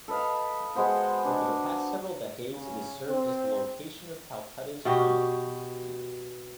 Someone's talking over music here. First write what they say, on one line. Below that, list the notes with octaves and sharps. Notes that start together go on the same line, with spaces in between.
Over the past several decades, it has served as the location of Calcutta's Chinatown.
A4 B4 D#5 F5
G#3 B3 F#4 C5
D4
C#3
C4
B2 F#4 G4